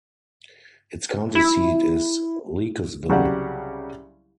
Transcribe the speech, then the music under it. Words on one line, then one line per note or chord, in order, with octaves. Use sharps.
Its county seat is Leakesville.
E4
C2 C#3 F#3 G3 G4 F#5